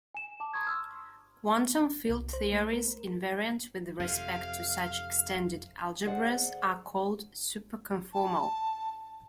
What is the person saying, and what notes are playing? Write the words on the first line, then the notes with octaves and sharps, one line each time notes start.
Quantum field theories invariant with respect to such extended algebras are called superconformal.
G#5 E7
A5 D6
A5 A#5 C6 C#6 D#6 G#6
C6 C#6 E6 F6
C2
C5
A3
A#4
F2 C3 F5
D2 G#4 C5 D5 E5 F#5
A5